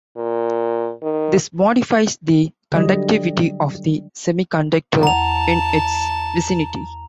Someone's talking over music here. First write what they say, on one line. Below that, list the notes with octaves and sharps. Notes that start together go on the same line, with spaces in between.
This modifies the conductivity of the semiconductor in its vicinity.
A#2
D#3
D3 F#3 G3 D#5
E2 F#5 A5 A#5 F7